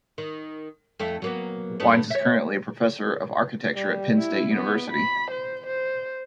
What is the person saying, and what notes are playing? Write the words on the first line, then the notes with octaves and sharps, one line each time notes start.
Wines is currently a professor of architecture at Penn State University.
D#3
F2 A3 E4
F#3 A#3 B3
G2 A3 B3
C#5 E5
G3
E4
B3
B5
C5
C5